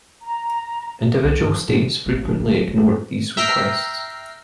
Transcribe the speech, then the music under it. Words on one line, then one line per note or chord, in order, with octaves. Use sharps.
Individual states frequently ignored these requests.
A#5
C2
G2
F3
A2
C3
A1
D4
D3
F#3
F#1
E5 G5 A#5 F6 B6 C7